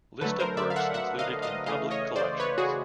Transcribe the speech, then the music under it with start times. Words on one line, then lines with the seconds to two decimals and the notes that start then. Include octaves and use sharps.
List of works included in public collections.
0.21 D3 F#3 A3 A4 B4
0.39 A#4 C5
0.57 D5 E5
0.70 F5
0.76 E5 F#5
0.94 E5 F#5
1.19 D#5 F5
1.42 D#5 F5
1.66 C#3 E3 A3 D#5 F5
1.91 C#5 D#5
2.16 C5 D5
2.40 B4 C#5
2.58 F#4 G#4